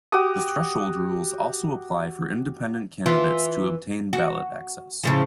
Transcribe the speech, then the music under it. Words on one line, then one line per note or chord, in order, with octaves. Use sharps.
The threshold rules also apply for independent candidates to obtain ballot access.
F#4 G4 D6 D#6
E3 F4
F#4
A2 C#3 F3